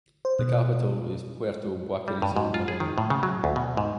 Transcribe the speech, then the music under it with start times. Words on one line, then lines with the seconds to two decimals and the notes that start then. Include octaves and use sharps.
The capital is Puerto Baquerizo Moreno.
0.25 C5
0.39 B2
2.08 G3
2.22 G2
2.36 G#2
2.54 F4
2.68 G#4
2.80 D#3
2.98 A2
3.10 C#3
3.23 F#3
3.44 D2
3.56 B2
3.77 G#2